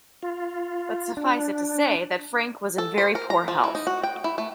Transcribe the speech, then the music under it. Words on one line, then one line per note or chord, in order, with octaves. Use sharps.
But suffice it to say that Frank was in very poor health.
F4
D4
A4
C5
A#4
A#5
F3
E3
D#4
F#4
G5
E4
A3